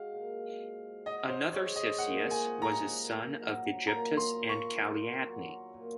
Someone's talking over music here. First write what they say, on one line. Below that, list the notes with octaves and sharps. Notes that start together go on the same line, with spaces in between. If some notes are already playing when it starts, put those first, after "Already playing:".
Another Cisseus was a son of Aegyptus and Caliadne.
Already playing: G#3 F#4 F5
A#2
C4
F#4 D#5
C5
G#3 C#5
D#5
A#2 F#5
G#5
C4
A#5
A#2
F#3
A#2 A#5
C6
A#3
C#6
A#2
F#3
A#2